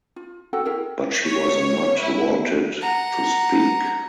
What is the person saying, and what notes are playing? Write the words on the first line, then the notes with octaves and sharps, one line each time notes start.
But she was not wanted to speak.
F4
F#4 A4 F#5 G5
E4 G#4 A#4 G5
C#5
E4
F#5 A#5